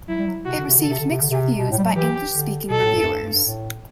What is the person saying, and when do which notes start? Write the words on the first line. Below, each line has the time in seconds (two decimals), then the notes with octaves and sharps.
It received mixed reviews by English-speaking reviewers.
0.08 F#3 E4
0.18 G3
0.27 F#3
0.45 C3 F#4
0.57 D3
0.67 C3
0.78 D3 A4
0.89 C3
1.00 D3
1.10 C3
1.21 D3
1.31 C3
1.58 B2
1.71 A2
1.78 G3
1.83 F#3
1.96 E3 G4
2.33 D3
2.70 B2 A4
2.83 A2
2.96 G2
3.02 F#2
3.08 G2
3.21 G2
3.33 G2
3.45 A2